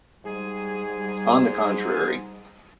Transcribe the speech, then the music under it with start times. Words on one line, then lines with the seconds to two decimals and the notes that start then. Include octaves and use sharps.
On the contrary.
0.25 G#2 G3 G#4